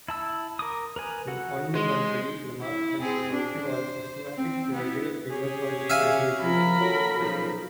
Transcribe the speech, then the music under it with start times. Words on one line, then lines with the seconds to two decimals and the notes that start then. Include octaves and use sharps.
On the contrary, Lamarck's contribution was a systematic theoretical framework for understanding evolution.
0.08 E4 A5 E6
0.59 A#4 D6 D#6
0.96 A#4 B4 G#5
1.27 F#4 A4 F#5
1.75 G#3 C6
2.61 E4
2.99 C4 G#4
3.32 D4
3.63 C5
4.34 C4
4.74 B3 E4
5.31 C#4 G4 G#4
5.90 E5 F5 G#5
6.42 F3 A#4 B5
6.80 F#4 A4 C#5
7.18 B1 A#2 C#3 F3